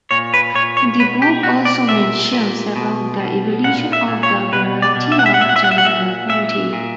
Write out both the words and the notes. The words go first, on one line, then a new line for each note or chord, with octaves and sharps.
The book also mentions about the evolution of the Bharatiya Janata Party.
A#2 C#5
B4
A#2 C#5
C#5
B2 B4
G4
B2 F#4
D5
A#2 E5
A#2
B2
B2
A#2 F#5
E5
A#2
C#5
B2 B4
D5
B2
E5
F#5
E5
F#5
A#2 E5
F#5
E5
F#5
E5
F#5
A#2 E5
A#2 E5
A#2